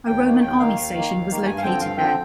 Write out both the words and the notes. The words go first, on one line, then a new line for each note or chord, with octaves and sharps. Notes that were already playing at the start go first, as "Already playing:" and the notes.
A Roman army station was located there.
D#2 G5
D#3 A#3
D#2 G5
D#3 A#3 F5
D#2
D#3 A#3
D#2
D#3 A#3
G2 G#5
F5
D3 F3 C4 G5
G2 F5
D3 F3 C4 G5